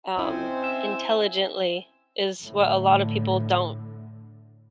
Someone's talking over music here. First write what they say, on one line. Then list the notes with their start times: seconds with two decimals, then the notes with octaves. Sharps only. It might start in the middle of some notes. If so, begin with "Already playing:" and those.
um, intelligently is what a lotta people don't
0.17 C4 C#4 E4 C5 D#5 G#5
0.64 E5
2.43 A2 D3